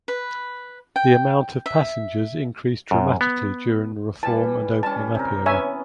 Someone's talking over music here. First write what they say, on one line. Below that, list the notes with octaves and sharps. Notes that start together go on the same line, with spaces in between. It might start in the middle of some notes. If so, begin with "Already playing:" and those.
The amount of passengers increased dramatically during the reform and opening up era.
B4
G5
E5
F#2
B3
E3 G3 A5
G3 C#4 A5
C3 A#4
B3 C#4 C#5 E5 G#5